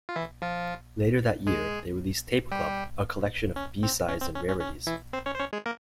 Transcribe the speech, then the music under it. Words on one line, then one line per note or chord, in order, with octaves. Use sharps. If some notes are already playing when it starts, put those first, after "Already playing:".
Later that year, they released "Tape Club", a collection of b-sides and rarities.
F4
E3 E4
F3 F4
G#3 G#4
G3 G4
C#4
C4
C#4
C4
C#4
C#4
C#4
E3 E4
C4 C5
C#4 C#5
C5
C#4 C#5
G#3 G#4
A#3 A#4